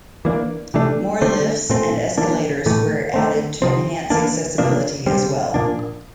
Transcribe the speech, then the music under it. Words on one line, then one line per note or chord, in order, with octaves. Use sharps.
More lifts and escalators were added to enhance accessibility as well.
E3 A#3 D4
C3 E3 A3 D4
D3 A3 C4
A#2 A3 C4
E3 A#3 D4
A2 E3 A3
D3 A3 C4
C3 F3 C4
E3 A#3 D4
C3 F3 A#3 D4
D3 G3 C4
A#2 F3 A#3 D4